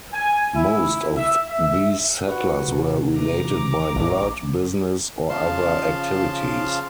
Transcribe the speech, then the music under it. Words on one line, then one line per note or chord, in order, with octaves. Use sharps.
Most of these settlers were related by blood, business or other activities.
G#5
E4
E5
E5
F#4 B4 F#5
C3
E3 A3 A#5 D6
A1
C#3 F3 F5 A5 C6